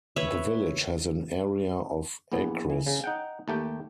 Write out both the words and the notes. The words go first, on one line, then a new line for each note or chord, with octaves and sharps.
The village has an area of acres.
B4 C#5 E5
A#1 E2 B3
E3
C#3
D#4 F#5 G5
D#2 A3 G4 G5